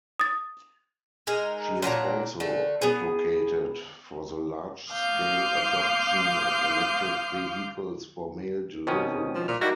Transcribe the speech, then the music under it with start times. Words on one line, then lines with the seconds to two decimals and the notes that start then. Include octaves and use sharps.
She has also advocated for the large-scale adoption of electric vehicles for mail delivery.
0.20 D#6 A6
1.27 G#3 D#4 A#4
1.82 A#2 F#3 D4 A#5
2.40 D3 A3
2.82 B3 G#4
4.90 F5 C6 D6 D#6 F6 G6
8.87 B2 D#3 C4 C#4 D#6
9.35 F3
9.48 A#2 F6
9.61 G3 A#3 D#4 E4 F#4 A#4